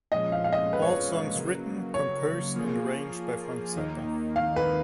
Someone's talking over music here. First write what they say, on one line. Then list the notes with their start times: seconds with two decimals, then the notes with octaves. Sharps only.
All songs written, composed and arranged by Frank Zappa.
0.11 A#2 F3 G#3 C#4 D#5
0.32 F5
0.44 F5
0.53 D#5
0.73 B4
0.82 C#5
0.91 B4
1.33 C#3 F#3 A#3
1.94 C#5
2.54 F3 A#3 F4 G#4
3.75 D#2 D#3 A#3 D#4
4.36 F5
4.56 B4